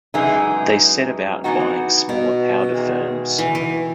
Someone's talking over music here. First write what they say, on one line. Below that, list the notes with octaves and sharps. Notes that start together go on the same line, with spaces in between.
They set about buying smaller powder firms.
F#2 E3 G#3 D#4
E3 B3 D#4 F#4
B2
E2 D#3 G#3
E3
E3